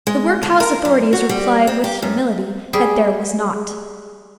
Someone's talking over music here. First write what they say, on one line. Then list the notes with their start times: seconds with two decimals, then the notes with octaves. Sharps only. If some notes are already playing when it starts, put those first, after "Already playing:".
The workhouse authorities replied with humility, that there was not.
0.07 G#3
0.43 D3
0.60 A#4
0.85 F#2
1.13 F#4
1.29 G3
1.67 C4
1.84 G4
2.02 F#2
2.73 G3 G#4